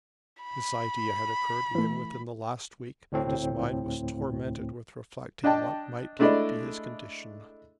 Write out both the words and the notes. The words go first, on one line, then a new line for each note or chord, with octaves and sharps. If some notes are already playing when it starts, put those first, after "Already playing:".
This idea had occurred to him within the last week, and his mind was tormented with reflecting what might yet be his condition.
B5
E3 A3
D2 A2 C4
D4 D#5 G5 A5
G#3 A3 D4 E4 D5 D#5